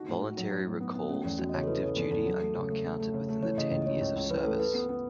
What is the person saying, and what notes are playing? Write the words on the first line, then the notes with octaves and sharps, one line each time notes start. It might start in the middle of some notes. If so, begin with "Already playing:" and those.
Voluntary recalls to active duty are not counted within the ten years of service.
Already playing: D#4 F#4
A2
F#4
F#3
F#3
A2
B3
B3
A3 C#4
E2 C#4
E2 F#4
D#5
C#3 C#5
A4
E3 B4
C#3
E2 A4
E2 A4
F#3
A3
C#3
A3
A3
A3
C#3
A3
E3 C#5
C#3 D#5
C#2 D#5
D#5
C#3 C#5
C#2 C#5
C#2 C#5
E3 B4
A3 A4
A4 B4
B3
B3